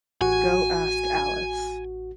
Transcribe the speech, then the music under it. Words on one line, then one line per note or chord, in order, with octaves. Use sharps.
Go Ask Alice!
A1 F#4 F#5 G#5